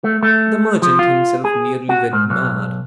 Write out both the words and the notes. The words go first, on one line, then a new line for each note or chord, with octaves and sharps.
The merchant himself nearly went mad.
A3
A3
F3
F4
G#4
F#4
G#2
B1